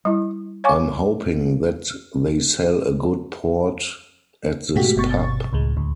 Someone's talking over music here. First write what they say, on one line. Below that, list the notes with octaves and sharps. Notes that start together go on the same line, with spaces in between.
I'm hoping that they sell a good port at this pub.
G3 E4
C#5 F5 G#5 C#6 D6
G#2 B2 A3 F#4 G4 B6
G1 B2 C#6 A6
C#2 A2 G#3
D2